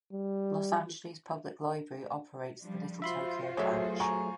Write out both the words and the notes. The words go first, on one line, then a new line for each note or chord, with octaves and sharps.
Los Angeles Public Library operates the Little Tokyo Branch.
G3
F3 G3 D4
F4 F#4 C5 E5 B5 C6
F#3 A3 G#4 C#5 E5
G#5 A#5 C#6